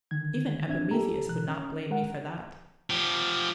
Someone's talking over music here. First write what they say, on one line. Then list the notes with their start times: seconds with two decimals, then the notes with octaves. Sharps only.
Even Epimetheus would not blame me for that.
0.11 D3 D#3 G#6
0.68 C4 D4 E5 G#6
0.91 G4 A4 A#5
1.28 B2 E3 F#6
1.48 C#4
1.90 G#3 A#4 F#5
2.90 F3 G4